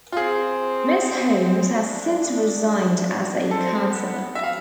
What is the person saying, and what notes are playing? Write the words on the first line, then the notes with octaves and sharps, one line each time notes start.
Ms. Holmes has since resigned as a councillor.
F4
C4 G#4
D4
C4 A4
B3
E5
F5